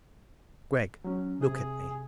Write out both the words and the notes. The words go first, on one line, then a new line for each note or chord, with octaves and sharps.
"Gregg, look at me!"
F#3 C#4
C3 G#4